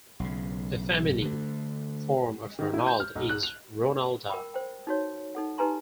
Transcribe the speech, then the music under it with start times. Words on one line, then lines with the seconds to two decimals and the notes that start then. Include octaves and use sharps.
A feminine form of "Ronald" is "Ronalda".
0.20 B1 C#3
1.22 D3 A3
2.59 D#3
2.74 E4
2.87 G6
3.00 F6
3.15 B1
3.29 F#6
3.43 F7
4.30 A#4 G5 B5
4.54 C5 G5
4.87 D#4 F#4 C#5
5.35 D#4 A4 F#5
5.58 D#4 G4 B4 G#5 A#5 C6